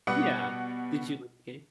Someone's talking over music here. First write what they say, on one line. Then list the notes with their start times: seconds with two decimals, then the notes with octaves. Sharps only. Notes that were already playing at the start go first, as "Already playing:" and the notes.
Yeah. Did you like the game?
0.07 B2 G3 B3 F#5 D6 D#6